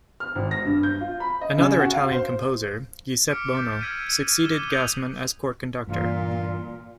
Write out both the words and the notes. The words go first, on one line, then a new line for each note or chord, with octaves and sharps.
Another Italian composer, Giuseppe Bonno, succeeded Gassmann as court conductor.
F6
G#1
A#6
G2
G6
F4
B5
D#5
C#3
F#4
F5
C5
D6 F6 B6 C#7 D7
G6 A6 E7
E6 F6 G#6 B6 D7 D#7
D6 D#7 E7 G7
D#6 F#6 G6 F7 F#7
G2 A#2 E3 F4